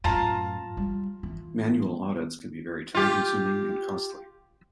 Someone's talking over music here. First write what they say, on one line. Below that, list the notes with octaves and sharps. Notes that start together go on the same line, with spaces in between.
Manual audits can be very time-consuming and costly.
F#2 A2 F4 A5 A#5
G3
E3
F4 G4